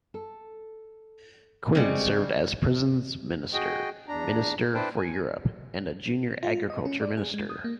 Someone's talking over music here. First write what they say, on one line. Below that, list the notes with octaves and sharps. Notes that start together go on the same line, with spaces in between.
Quin served as prisons minister, Minister for Europe, and as a junior agriculture minister.
A4
C#3 G3 G#3 C4
F#4 G#4 D#5 G5
E2 D4 A#5
D4 E4 B4 C5 G5 A5
G#5
F4
D#5
C#4
D5
G#4
G#3
D#6
A#3